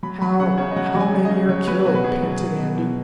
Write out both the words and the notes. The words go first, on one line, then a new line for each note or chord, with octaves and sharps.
"How--how many are killed?" panted Andy.
F#3 B5
F#3 B5
C#3 F#5
C#3 C#5
D#5
F#3 F#5
F#3
G#5
C#3
D#5
C#3
F#3 C#5
F#3 B4
B2 F#4
B4
B2 G#4
F#3
F#3
B2
B2